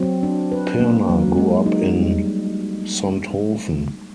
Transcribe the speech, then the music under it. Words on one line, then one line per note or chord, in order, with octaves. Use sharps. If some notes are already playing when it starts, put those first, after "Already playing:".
Pirner grew up in Sonthofen.
Already playing: F#3 C4
D4
B4
A#3
F#3
G#3
D#4
G3